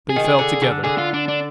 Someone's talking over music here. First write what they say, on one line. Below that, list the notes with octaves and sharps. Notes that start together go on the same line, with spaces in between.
They fell together....
G#4
D#3
G#4
D3
D3
D3 G#4
F4
D4
D4